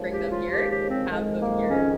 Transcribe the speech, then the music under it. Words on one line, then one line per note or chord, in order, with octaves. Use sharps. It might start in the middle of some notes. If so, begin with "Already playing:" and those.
bring them here have them here.
Already playing: D#2 C#3 F3 G#3
G4
F4
D#2 C#3 F3 G#3 G4
G4
C4
F2 D#3 G#3
A#3
F2 D#3 G#3 C#4